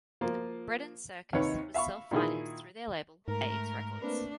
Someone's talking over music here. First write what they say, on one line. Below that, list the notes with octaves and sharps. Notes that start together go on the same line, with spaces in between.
"Bread and Circus" was self-financed through their label, Abe's Records.
F3 A#3 F4
D#2 C3 D#4 B4 C#5
E5 F5 B5 C#6
A#2 D#3 E4 G#4
G#2 A3 A#4
A3 A#3 C4 D4 B4